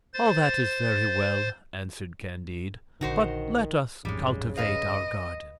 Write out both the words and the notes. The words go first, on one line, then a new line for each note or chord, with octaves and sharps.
"All that is very well," answered Candide, "but let us cultivate our garden."
C5 A6
A#1 D3 D#3 D#4 F#4 C5
A1 F2 G#2 C#3 G3 G#3
B4 D#5 F5